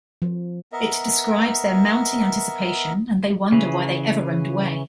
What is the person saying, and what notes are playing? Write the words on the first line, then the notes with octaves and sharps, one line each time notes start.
It describes their mounting anticipation and they wonder why they ever roamed away.
F3
B3 A#4 D#5 E5
C#3 E3